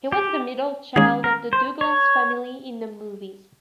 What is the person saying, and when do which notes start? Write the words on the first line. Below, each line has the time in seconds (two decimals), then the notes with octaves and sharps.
He was the middle child of the Douglas family in the movies.
0.12 G4
0.96 D#3 G#3 C#4 G#4
1.24 A#4
1.53 C5
1.81 C#5